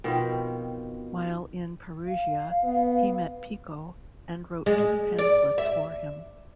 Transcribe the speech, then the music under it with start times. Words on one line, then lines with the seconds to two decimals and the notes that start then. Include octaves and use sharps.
While in Perugia, he met Pico, and wrote two pamphlets for him.
0.04 B2 D#3 F3 C4
2.06 F5
2.63 B3
4.66 G#3
5.19 D5
5.58 E5